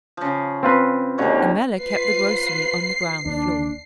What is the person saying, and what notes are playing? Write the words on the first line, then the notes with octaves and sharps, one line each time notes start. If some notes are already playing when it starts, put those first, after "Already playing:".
Ammella kept the grocery on the ground floor.
C#3 F3
C4 F4 B4
G#1 D#2 A#2 D3 C#5
F4 B4 C5 C7
D#2 D4